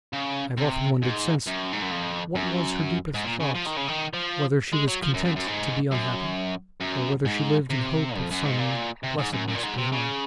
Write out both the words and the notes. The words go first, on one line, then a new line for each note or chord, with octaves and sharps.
I have often wondered since, what was her deepest thought--whether she was content to be unhappy, or whether she lived in hope of some blessedness beyond.
C#3
C3
G#2
F#2
G#2
F#2
F2
F#2
G#2
A#2
C#3
F3
D#3
C#3
D#3
F3
G#3
F#3
F3
F#2
F#2
F#2
G#2
F#2
F#2
G#2
C3
F2
F#2
G#2
A#2
C3
G#2
F#2
F#2
A#2
G#2
C3
C#3